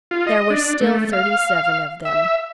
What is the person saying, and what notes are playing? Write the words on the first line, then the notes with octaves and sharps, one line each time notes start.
There were still thirty-seven of them.
F4
D#5
D4
A3
F5
E5